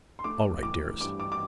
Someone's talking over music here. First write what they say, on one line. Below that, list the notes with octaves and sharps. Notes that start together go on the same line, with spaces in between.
All right, dearest.
C6
A3 D6
E3 D6
G2 D6
D6
D6